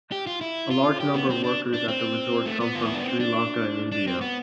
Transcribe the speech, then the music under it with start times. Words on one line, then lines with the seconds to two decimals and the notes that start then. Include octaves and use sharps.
A large number of workers at the resort come from Sri Lanka and India.
0.12 G4
0.27 F4
0.41 E4
0.71 F4
1.00 G4
1.14 B3
1.30 C4
1.44 D4
1.74 D4
1.88 C4
2.46 A3
2.60 B3
2.75 F4
2.85 E4
2.95 D4
3.04 C4
3.20 D4
3.92 D4
4.07 C4
4.21 B3